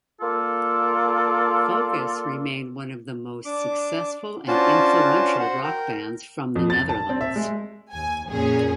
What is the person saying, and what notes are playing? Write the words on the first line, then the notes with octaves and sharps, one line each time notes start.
Focus remain one of the most successful and influential rock bands from the Netherlands.
A#3 F4 A4 D5
D4 D6
C#4 D4 F4 F#4 C5 A5
F#4 C5 F#5
A#4 G5
F2
A6
A5
C4
E5
G#3
D#2 G#5
F2 A#2 C#4 G#4